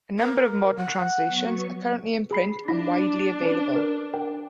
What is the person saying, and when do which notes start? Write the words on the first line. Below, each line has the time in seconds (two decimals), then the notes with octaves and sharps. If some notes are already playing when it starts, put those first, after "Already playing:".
A number of modern translations are currently in print and widely available.
0.19 A#4
0.77 F#5
1.25 F#3 B3 C#6
2.31 G#4 B5 C7
2.68 D4 E4 A#6 B6
3.42 C#4 B4
3.76 A#4
4.14 A#4 G5